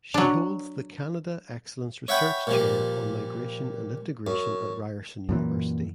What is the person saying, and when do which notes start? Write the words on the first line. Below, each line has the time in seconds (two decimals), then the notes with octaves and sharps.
She holds the Canada Excellence Research Chair on Migration and Integration at Ryerson University.
0.14 F#3 D4
2.08 C#5 E5 F#5 G5 B5
2.47 A#2 F3 G3
4.27 F#2
5.29 F#2 A#2 E3